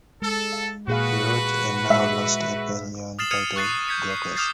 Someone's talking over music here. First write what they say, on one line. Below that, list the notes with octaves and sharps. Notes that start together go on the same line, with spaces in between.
He wrote a now lost epyllion titled "Glaucus".
G#3 A4
A#2 F#4 G#4 B4 F5
G#3 E5
D#6 F6 A6 C7 E7 F#7
D#6 F6 G#6 C7 C#7 D#7
C#6 F#6 A6 C7
G6 G#6 B6 C#7
C7
D6 D#6 F6 G6 A6 C7